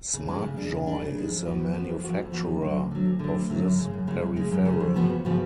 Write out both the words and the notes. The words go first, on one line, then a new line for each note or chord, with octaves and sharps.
SmartJoy is the manufacturer of this peripheral.
C#3
G#3 D4
C#3
G#3 D4
C#3
G#3 D4
C#3
G#3 D4
F2
F3 B3 F#4
F2
F3 B3 F#4
F2
F3 B3 F#4
F2
F3 B3 F#4
D2
D3 F#3
D2
D3 F#3
D2
D3 F#3
D2
D3 F#3
F#2
C#3 G#3
F#2
C#3 G#3
F#2
C#3 G#3
F#2
C#3 G#3
F2
C#3 F3 B3 F#4
F2
C#3 F3 B3 F#4